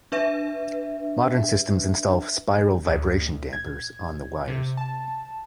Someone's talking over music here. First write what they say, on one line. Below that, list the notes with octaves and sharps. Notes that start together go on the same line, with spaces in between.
Modern systems install spiral vibration dampers on the wires.
D4 B4 E5
D2
G#6
C3
A5